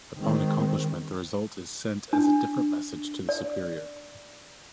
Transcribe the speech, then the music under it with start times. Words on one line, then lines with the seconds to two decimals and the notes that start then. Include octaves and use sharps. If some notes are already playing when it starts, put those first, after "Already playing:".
Upon accomplishment, the result is sent as a different message to the superior.
0.16 D#3 G#3 C4
2.13 D4
3.29 D5